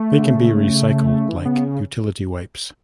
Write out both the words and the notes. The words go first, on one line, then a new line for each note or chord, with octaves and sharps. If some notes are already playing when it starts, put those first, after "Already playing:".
They can be recycled like utility wipes.
Already playing: A3
D3
C#3
E3
D3
C#3 B3